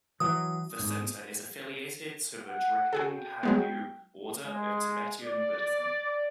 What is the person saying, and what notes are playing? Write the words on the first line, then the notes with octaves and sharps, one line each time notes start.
The Center is affiliated to the Drikung Kagyu order of Tibetan Buddhism.
E3 F#3 D#6
G#2
F#5
F#4 G#4 A4 G5
F#3 G#3 B3
G#3
D5